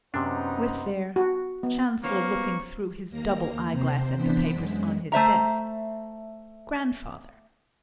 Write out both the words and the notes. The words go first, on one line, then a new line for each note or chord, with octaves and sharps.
"With their"--Chancellor looking through his double eye-glass at the papers on his desk--"grandfather."
F#2 C3 B3 D4 D#4 C5
F#4
B3
F#3 A#3 B3 C#4 C5 F5 C#6
D#2 A#3 A#5
C3 C4 C5 C7
E3 B3 D4 C5 B6
F#2 G#3
A3 C5 E5 A#5